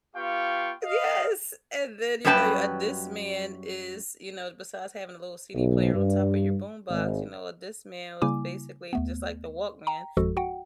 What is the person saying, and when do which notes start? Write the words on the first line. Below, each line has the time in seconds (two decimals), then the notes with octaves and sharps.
Yes! And then, you know, a Discman is, you know, besides having a little CD player on top of your boombox, you know, a Discman was basically just like the Walkman,
0.16 B3 F4 G4 F5 G5 C#6
0.84 D#5 F5
2.25 F#2 G3 C#4 B4 G5 A5
5.55 B1
5.94 G2
6.90 G#1
8.22 C#3 G3 A#3 E4 G#5 D6
8.93 D#2 A3 B3
9.87 G5 A#5
10.17 G#1 F2 F3 G#3 F#4 A4
10.37 F#4 F#5 G5